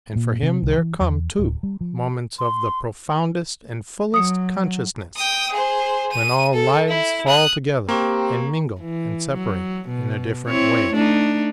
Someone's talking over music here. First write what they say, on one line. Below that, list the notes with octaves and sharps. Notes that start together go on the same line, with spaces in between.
And for him there come, too, moments of the profoundest and fullest consciousness, when all lives fall together and mingle and separate in a different way.
A#2
C3
C2
E3
E2
D1
G3
F3
C6
F#3 D#6 C#7
G5 D#6
G#4 C5
D#7
A4
E4
D#6 F#6
A#3 C4 G4 A#5 C#6
E3
F#3
B2
C4 E4 C#5
A3 D4 D#4